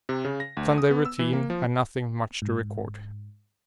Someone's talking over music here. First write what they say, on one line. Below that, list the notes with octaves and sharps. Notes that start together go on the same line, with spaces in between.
Sunday routine and nothing much to record.
C3
C#3
A#6
D2
D#6
B3
E6
E3
A#3
F3
G#2